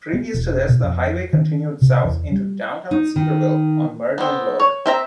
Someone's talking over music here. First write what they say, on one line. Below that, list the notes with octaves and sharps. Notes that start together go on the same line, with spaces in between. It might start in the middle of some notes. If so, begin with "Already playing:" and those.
Previous to this, the highway continued south into downtown Cedarville on Merdian Road.
B3
E1
B2
F2
D#3
C3
E2
G3
D#4
D#3
B3 C4
C#5
C4 E5 A#5